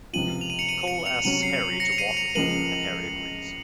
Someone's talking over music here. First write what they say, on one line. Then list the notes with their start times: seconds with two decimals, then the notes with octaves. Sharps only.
Cole asks Harry to walk with him and Harry agrees.
0.13 C#2 C3 F3 C4 F4 D#7 F#7
0.41 F7
0.50 D#7
0.59 C#7 F7
0.69 D#7 F#7
0.82 D#7
0.87 C#7 F7
1.06 C#7 F7
1.24 C3 F#3 C#4 D#7 F#7
1.43 C7
1.80 A#6 C#7
1.92 F7
1.98 C7 D#7
2.17 C#7 F7
2.35 C#2 C#3 F3 A#3 D#7 F#7